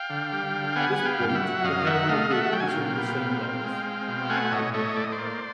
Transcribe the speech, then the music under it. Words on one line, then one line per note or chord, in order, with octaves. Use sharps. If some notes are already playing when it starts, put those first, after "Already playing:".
At this point, the hair on the wig is all the same length.
Already playing: F5 G5
D3
G3
D3
B3 F#5 G#5
B3 F#5
F5 G5
G2
G5
E5 F#5
F#3
F#2 D#5 F5
D#3 E5 F#5
A3 D#5 F5
A3 E5 F#5
F#3 G5
G#5
F5 G5
A#2
B3
A#2
C4
G#3
C4
B2
A3 F#5 G#5
A2 C#5 D#5
A3 C#5 D#5
A2 D5
D#5
C5 D5
A#3